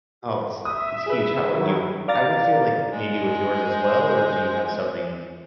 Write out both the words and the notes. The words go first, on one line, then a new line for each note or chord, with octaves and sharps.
Oh, it's it's huge. How about you? I would feel like maybe with yours as well, or do you have something
E5 D#6
G#4 B4
D#3 F#3 E4
D5 F5 A#5 A6
G#3
C5